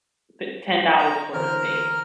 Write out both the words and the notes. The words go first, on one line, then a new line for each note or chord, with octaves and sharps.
t ten dollars for a steak.
A#5
D3 E3 A#4 C5